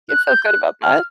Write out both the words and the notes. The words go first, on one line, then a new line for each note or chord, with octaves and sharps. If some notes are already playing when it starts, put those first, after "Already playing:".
You feel good about that?
F#6
G6
F#6
F6